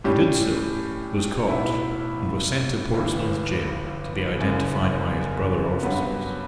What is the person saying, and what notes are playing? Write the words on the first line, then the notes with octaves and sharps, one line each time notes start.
He did so, was caught, and was sent to Portsmouth gaol to be identified by his brother officers.
A2 G3 C#4 G4
B1 A2 F#3 B3 E4
G1 G2 E3
F#1 F#2 C#3
G2 F#3 B3